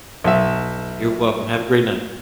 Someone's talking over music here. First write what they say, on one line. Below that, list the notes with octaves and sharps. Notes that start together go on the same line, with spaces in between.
you're welcome, have a great night.
B1 E5